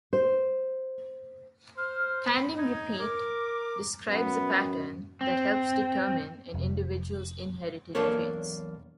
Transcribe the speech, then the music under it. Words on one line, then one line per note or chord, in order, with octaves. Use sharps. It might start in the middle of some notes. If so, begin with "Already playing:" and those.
Tandem repeat describes a pattern that helps determine an individual's inherited traits.
C5
C5 F6
B5
D#4 G#6
A#4 D6
F#2 B3
C4
F1
B1 E2 A#3 D4 A4 C#5